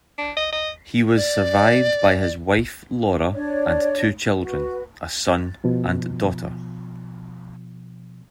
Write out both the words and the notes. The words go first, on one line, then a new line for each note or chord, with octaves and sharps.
He was survived by his wife, Laura, and two children, a son and daughter.
D4
D#5
D#5
D5
D4 C#5 D5
F#4 B4
B2 F3